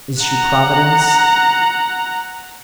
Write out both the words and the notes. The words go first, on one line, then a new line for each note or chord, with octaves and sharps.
Is she Providence?
F#5 A#5